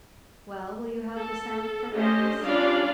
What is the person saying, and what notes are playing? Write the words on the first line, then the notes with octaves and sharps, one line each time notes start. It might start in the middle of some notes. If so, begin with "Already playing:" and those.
"Well, will you have the samp for breakfast?"
A4
A3 C#4 G4 C5 D#5
G3 C#4 D4 F4 D5 F5